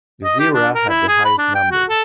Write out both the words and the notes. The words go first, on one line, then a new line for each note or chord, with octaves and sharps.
Gezira had the highest number.
D#5
G4
D4
A#4
E4
G#4
B5
D4
G5
F#4
A4